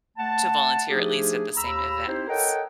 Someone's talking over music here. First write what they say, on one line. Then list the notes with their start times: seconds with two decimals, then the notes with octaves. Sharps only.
to volunteer, at least at the same events.
0.17 A3 F#5 A5
0.90 F3 A3 D4 D#4 G4 G#4
1.56 D#2 A#5 B5 E6
2.07 C4 D#4 E4 G4 C5
2.28 A4 A#4 C#5 D#5 F#5 G5